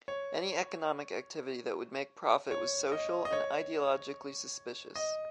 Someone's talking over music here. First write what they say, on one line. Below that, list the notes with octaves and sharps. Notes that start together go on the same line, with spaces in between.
Any economic activity that would make profit was social and ideologically suspicious.
C#5
C#5
D#5
D#5
C#5
D#5